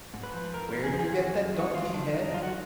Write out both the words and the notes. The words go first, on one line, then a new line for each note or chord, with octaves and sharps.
Where did you get that donkey head?
G#2
B4
F3
F2 A#4
A#4
F2
G#4
F3
G#4
F#2 F#4
F#2
D#3
F#4
F2 F4
F3 D4
F2 D#4
F#2 F4
F#4